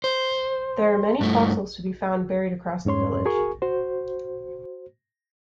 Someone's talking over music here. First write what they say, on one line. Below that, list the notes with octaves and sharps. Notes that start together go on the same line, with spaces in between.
There are many fossils to be found buried across the village.
C5
G2 A3
F2 G#2 C#4 C#5 C6
F#4 G#4 A#4 G#5 C#6
F#4 C5